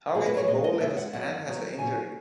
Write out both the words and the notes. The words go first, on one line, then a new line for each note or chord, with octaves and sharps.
How can he bowl if his hand has a injury?
F#2 D#3 G#3 B3 G#4
B4
C#5
A#2 G#3 B3 D#5
D#5
E2 C#3 G#3 B3 E5
F#5
F#2 C#3 F#3 F#5
E2 D#3 F#3 B3
A#2 F#3 C#4 G#5